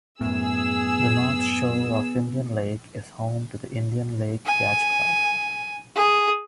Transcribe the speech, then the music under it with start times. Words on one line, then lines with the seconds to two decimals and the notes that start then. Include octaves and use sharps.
The north shore of Indian Lake is home to the Indian Lake Yacht Club.
0.21 F#2 A2 B3 G#4 E6
4.45 G#5
5.95 G#4